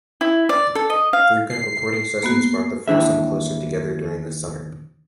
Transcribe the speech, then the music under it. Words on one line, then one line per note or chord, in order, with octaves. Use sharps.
Frequent recording sessions brought the foursome closer together during the summer.
E4
D5
A4
D#5
F5
C7
A#3 B3 F#4
D#2 E3 D4 E5